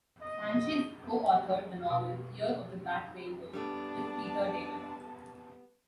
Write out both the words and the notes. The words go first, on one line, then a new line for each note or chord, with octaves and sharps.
Sanchez co-authored the novel "Year of the Black Rainbow" with Peter David.
D#5
B2
G3 A3 B3 D4 A5